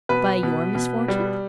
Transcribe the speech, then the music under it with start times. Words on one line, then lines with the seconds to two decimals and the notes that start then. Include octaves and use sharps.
"By your misfortune?"
0.09 B2 B4
0.43 B2
0.75 B2
1.08 G3